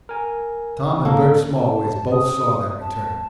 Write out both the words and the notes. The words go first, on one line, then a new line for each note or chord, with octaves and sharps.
Tom and Bert Smallways both saw that return.
A#4 G#5
A2 C#3 A#3 A4
A5
D#6
A5